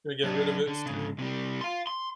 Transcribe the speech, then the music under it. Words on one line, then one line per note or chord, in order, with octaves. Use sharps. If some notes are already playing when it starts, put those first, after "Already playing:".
Gonna get rid of it soon.
F#3 D4
D3
G#2 C#3
C3 G3
F5 C6
C6